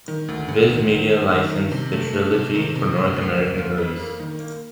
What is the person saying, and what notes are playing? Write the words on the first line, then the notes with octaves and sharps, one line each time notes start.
Viz Media licensed the trilogy for North American release.
D#3
D2
D2
D#3
D#3
A3
D#3
D#3
C3
A3
A3
C3
D#3
C3
D2
D2
A#3
F4
F2
A#3
D#3
A#3